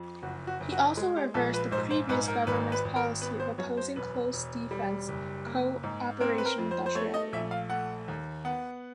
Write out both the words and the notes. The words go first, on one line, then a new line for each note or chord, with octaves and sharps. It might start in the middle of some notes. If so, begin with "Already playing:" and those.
He also reversed the previous government's policy of opposing close defence co-operation with Australia.
Already playing: F2
F#1 F#4
F#4
F#1
F#4
G#3
G4
A#1 A4
B4
G#2 C5
C5
G#2 B4
A#4
G#1 B4
B4
G#1
A#4
B3 B4
C5
F#2 C#5
C5
E1 B4
E1
G3
F#1
A#3
G#2
C4 A#4
B4
A#4
F2
C5
C5
A3 C#5
D#5
A#1 E5
F5
A3 F#5
D#2
B3 F#5